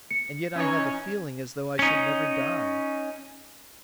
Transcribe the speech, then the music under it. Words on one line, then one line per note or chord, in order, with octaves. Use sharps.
And yet I have a feeling as though I should never die.
C#7
E3 C#4 D#4 C#5 G#5
C#4 D#4